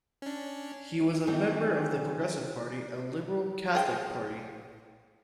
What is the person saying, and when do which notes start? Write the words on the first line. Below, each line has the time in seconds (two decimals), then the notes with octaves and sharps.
He was a member of the Progressive Party, a Liberal Catholic party.
0.22 C#4 D4
1.27 D#3 E3 F#3 B3 C4 D#4
3.75 G#4 G5